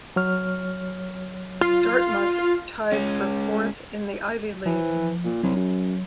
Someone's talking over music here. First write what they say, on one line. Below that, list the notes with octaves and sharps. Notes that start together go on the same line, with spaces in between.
Dartmouth tied for fourth in the Ivy League.
F#3 C#5 F6
F4
G#3 C#4
E3 F3
A#2
C2 F#3
F#2